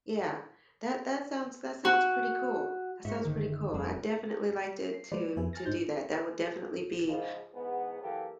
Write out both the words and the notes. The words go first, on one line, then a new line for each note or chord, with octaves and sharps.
Yeah. That that sounds that sounds pretty cool. That sounds pretty cool, I'd definitely like to to to do that. That would definitely be
F#4
G#2 F4 C5 E5 F#5 C#6
F#1 D3 D#3
F1 G3 C4 C5
C7
F3 G#3 A#3 B4 C5 D5
F3
F2 F3 B3 B4 E5 G#5
G#5 F6 A6 A#6
G#2 D4 D#4 C5 G6
G#2 C#3 F3
E2 G#2 B3
E3 F#3 A#3 G4 A4